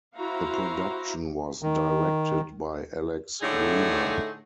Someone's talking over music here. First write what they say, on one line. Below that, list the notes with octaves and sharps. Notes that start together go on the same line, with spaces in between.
The production was directed by Alex Wheeler.
E4 F#4 C5 F5 A#5
D#3
A2 D3 A3 D#4 G#4